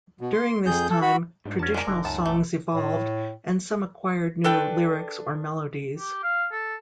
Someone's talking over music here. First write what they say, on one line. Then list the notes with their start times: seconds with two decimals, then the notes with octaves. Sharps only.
During this time, traditional songs evolved, and some acquired new lyrics or melodies.
0.21 B2
0.33 C6
0.66 F2 G#4 G6
0.90 A4
1.02 F#4 B5
1.45 G#2 G3 D4 F4
1.59 F2 B3 C#4 D4 F#4 A5
1.74 C2 C3 G#3 A#4 D5
1.87 F1 F2 D3 D#4 D5
2.05 C#2 F#2 D#3 A5
2.26 B1 A3 E4
2.74 A2
4.44 D4 A4 B4 G5
5.98 G4
6.23 F5
6.52 A4